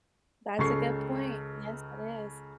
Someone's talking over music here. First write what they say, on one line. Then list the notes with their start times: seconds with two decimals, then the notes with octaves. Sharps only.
That's a good point. Yes, it is.
0.58 C#2 C#3 A4 C#6 C7